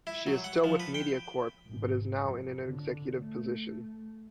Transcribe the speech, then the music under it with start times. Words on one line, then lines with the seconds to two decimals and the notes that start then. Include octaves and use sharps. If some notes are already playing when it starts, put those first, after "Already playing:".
She is still with MediaCorp but is now in an executive position.
0.07 E4
0.27 F#3
0.44 F#5
0.64 F3
0.80 B4
0.94 G5
1.67 G#1
2.23 F2
2.64 D3
3.20 A3